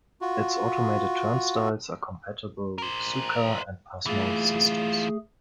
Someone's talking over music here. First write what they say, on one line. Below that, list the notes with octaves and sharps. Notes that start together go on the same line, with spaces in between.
Its automated turnstiles are compatible with Suica and Pasmo systems.
F4 F#4
A#4 C5
E3 A3 F4 G#4